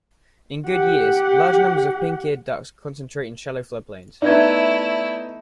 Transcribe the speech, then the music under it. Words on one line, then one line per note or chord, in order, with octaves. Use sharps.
In good years, large numbers of pink-eared ducks concentrate in shallow flood plains.
G4 F#5
A3 B3 D#4 E4 D5 E5 G#6